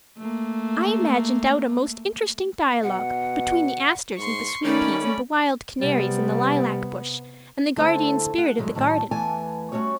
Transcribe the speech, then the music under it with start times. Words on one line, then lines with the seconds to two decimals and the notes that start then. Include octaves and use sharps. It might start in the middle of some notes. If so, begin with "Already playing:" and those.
I imagined out a most interesting dialogue between the asters and the sweet peas and the wild canaries in the lilac bush and the guardian spirit of the garden.
0.17 A3 A#3
2.83 B2 F#5
4.18 G#2 C6 C#6
4.65 D#3 A3 C#4 D#4 D5 B5
5.81 C3 G3 B3
7.76 D3 A3 E4 C5
8.38 F#5
8.58 G2 D#3 F#3 G#3 A3
8.75 A2 D#3 F#3 C#5 A5
9.11 E2 E3 A3 B3 G#5 A5
9.72 G3 A3 C#4 F#4 C#5